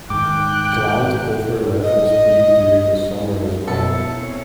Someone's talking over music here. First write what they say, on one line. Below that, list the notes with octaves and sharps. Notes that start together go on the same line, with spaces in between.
Cloud cover levels peak during the summer as well.
G#2 D#3 G5 D6 F#6
D#5
B2 A3 E4 F4 A4 C#7
C4 C#5